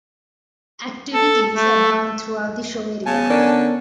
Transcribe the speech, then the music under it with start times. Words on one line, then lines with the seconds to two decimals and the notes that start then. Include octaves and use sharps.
Activities abound throughout the show area.
1.13 A4
1.55 A3
3.06 C#3 B3 G#5 A5
3.30 D3 C#4 A#4 D5